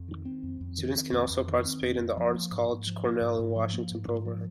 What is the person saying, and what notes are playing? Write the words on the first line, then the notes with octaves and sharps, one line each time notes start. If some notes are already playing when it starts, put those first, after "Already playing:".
Students can also participate in the Arts College's Cornell-in-Washington program.
Already playing: F2
D#3
C4
F2
F2
D#3
C4
F2
F2
D#3
C4
F2
F2
F3
A#3
G#2
G#2
F3
A#3
G#2
G#2
F3
A#3
G#2
G#2
F3